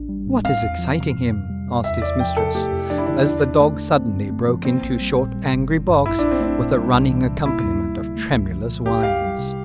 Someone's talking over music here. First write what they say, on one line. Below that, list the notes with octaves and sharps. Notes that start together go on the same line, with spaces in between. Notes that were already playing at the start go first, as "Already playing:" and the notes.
"What is exciting him?" asked his mistress, as the dog suddenly broke into short angry barks, with a running accompaniment of tremulous whines.
Already playing: A1 D4
G3
A2
C4 F5
E2
F3
C3
F2
F2
G3
C3
E2 E5
E2 D5
F3 G5
C3 A4
A3 G4
F2
F3 D4
E4
D3 D4
E2 D4
E2
A3
D3
C4
G2
A3
F3
A#3 C4
A#1
G3
A#2
G3
G1
E3
G2
A#1 E4
A#1 D4
C4
A3 D4
A#2
G3
C2
E3
C3
A#3 E4
D2
G3
D3
A3
C2
F3
A#2
C2 G4
C2 F5
G3
C3